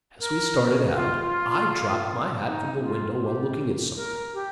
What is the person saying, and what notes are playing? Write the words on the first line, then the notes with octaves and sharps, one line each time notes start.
As we started out, I dropped my hat from the window while looking at something.
A#4
G4
F4
D#4
F4
G4
A#4
G4